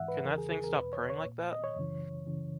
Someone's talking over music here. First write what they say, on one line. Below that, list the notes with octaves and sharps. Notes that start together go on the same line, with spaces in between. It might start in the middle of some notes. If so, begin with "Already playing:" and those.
Can that thing stop purring like that?
Already playing: G#2 E3 E5 F#5
B4
E2 C#3 E3 A#4
G#4
G#4
A#4
E2 B2 B4
C#5
C#5
A#2
D#5
C#5
F#2 C#3 E3
F#2 C#3 E3